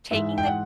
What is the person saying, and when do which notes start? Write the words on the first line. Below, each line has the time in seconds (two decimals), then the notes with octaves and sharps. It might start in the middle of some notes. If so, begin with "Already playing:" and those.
Taking the
0.11 G#2 E3 G#3 E5
0.38 G5
0.46 F#5